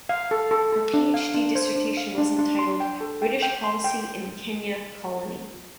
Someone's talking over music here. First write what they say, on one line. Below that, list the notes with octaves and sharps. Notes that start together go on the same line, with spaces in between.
Her PhD dissertation was entitled "British policy in Kenya Colony".
F5
A4
A4
A4
D4
F5
D4
C5
D4
F5
D4
D4
C6
G5
A4
G5
G5
C6
G5